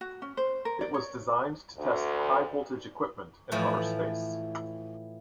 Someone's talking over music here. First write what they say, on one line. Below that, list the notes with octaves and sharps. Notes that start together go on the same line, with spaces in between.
It was designed to test high-voltage equipment in outer space.
F#4
C#4
C5
A#4
D5
C#5
D2
A2 E3 F3